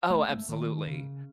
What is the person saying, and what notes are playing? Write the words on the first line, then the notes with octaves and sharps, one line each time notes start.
Oh, absolutely.
A3
A3
D#3
C#3